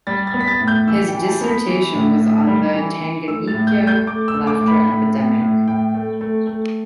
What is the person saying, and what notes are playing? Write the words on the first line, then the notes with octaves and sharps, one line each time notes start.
His dissertation was on the Tanganyika laughter epidemic.
G3 A6
A6
B3
B6
A6
A2
G6
E3 E6
G5
E3
A5
B3
B5
E3
A2
A2
G3
E3
E3
A3 E6
A6
A2
G6
A3
G6
A3 D6
E6
A3
D6
A2
B5
A2
A2
A2
A2 G5
A3
A3
A3